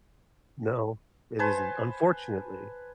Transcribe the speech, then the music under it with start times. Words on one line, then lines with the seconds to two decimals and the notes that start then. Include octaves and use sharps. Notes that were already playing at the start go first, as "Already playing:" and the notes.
No, it isn't. Unfortunately
1.39 B4 C5 G#5 A5